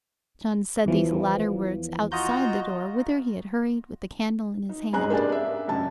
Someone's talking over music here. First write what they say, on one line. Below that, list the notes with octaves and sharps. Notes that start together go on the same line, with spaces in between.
John said these latter words outside the door, whither he had hurried with the candle in his hand.
E2 E3 F3
F4 F#4 D#5 A#5 G6
D#4
F#1 G#2 C4 G#4 A#5 F#6
A#3 D4 G4 G#4 D5
E5
C#2 F#2 A5